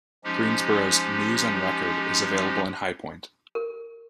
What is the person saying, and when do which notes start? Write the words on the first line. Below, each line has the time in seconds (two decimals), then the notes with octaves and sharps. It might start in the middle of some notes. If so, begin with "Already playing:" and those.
Greensboro's "News and Record" is available in High Point.
0.24 F3 G#3 C#4 D#4 G4
3.55 A#4